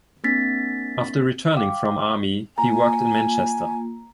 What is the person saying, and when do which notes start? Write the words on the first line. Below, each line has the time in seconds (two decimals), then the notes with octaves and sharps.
After returning from army he worked in Manchester.
0.24 A#3 C4 D4 A6 B6
1.56 F5 G5 D6
2.58 A#3 F4 G#5 A#5